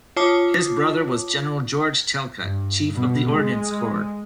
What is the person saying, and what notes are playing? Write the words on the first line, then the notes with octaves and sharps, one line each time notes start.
His brother was General George Talcott, Chief of the Ordnance Corps.
F4 C#5 A5 D6 D#6
G2
B2
G#3